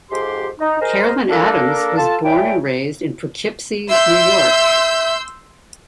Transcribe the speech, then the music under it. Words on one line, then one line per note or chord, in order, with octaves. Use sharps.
Carolyn Adams was born and raised in Poughkeepsie, New York.
F2 G#2 G4 C6
D#4
G#4 A#4 C5 D#5
A#3 D4 A4 A#4
F4 A4 A5
D4 E4 G#4 C#5 E5 G5
E5 C6 E6 G6